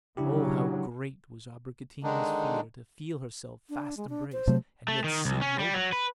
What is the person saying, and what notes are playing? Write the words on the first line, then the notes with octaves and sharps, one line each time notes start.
Oh, how great was Abricotina's fear to feel herself fast embraced, and yet see nobody!
C#3 F#3 D4 E4 G4
D3 D#3 G#3 D4 D#4
D4
G#3
D4
C5
C3 F#3 A3
A3
D#3
C2
C#4
G3
F#3
B4